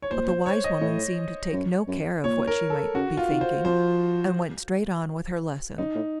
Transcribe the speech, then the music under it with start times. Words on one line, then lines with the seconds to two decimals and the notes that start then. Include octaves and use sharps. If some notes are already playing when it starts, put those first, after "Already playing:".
But the wise woman seemed to take no care of what she might be thinking, and went straight on with her lesson.
0.02 C#5
0.11 A#2 C5
0.28 C5
0.46 C#5
0.64 D#5
0.81 A2 C#5
1.53 F#2
1.87 F#2
2.24 A#2 C#5
2.47 A#4
2.70 A4
2.94 C#3 F#4
3.17 F4
3.30 D#3
3.41 C5
3.65 F3 C5
5.77 F#2 D#4
5.95 A2